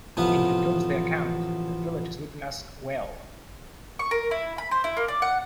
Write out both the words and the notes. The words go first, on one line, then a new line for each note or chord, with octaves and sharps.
In the "Domesday" account the village is written as "Hwelle".
A1 C3 E3 F3 B3 B4
C#6
A#4
E4
B5
C5
E4
A#3
D5
F#5